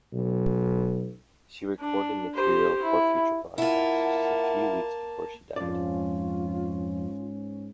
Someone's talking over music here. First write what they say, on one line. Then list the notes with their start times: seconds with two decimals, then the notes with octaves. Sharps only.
She recorded material for future broadcasts just a few weeks before she died.
0.13 B1
1.79 D4
2.35 G4 C5
2.82 E4
3.58 A#3 E4 F4 F#5 A5
5.56 F2 G#2 C#4 F4 D5